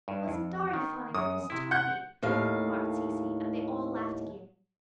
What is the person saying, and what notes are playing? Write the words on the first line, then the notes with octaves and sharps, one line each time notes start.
"Wasn't Dorry funny with his turkey?" remarked Cecy; and they all laughed again.
G2
F2
D#3
F#2 D#6
C3 E4
F#5 F#6 G6
D#2 A2 F5